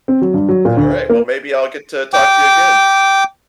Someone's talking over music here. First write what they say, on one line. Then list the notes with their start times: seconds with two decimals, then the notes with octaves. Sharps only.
Alright, well, maybe I'll get to talk to you again.
0.08 C4
0.22 F#3
0.34 G2
0.49 F#3
0.65 A#2
0.77 D2
0.90 C5
1.10 A#3
2.14 G5 D6